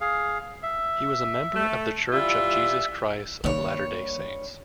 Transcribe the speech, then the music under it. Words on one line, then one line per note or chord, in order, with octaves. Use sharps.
He was a member of the Church of Jesus Christ of Latter-day Saints.
G#4 F5
E5
A3
E3 G3 F4 E5
G2 D#3 A#3 C#5